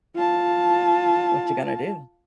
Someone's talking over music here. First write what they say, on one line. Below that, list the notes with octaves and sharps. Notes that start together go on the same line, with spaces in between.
What you gonna do?
F4 A5